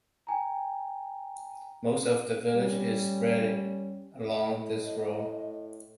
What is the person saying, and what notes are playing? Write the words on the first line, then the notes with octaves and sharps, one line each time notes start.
Most of the village is spread along this road.
G5 G#5 A#5
G3 C#4
A2 D#5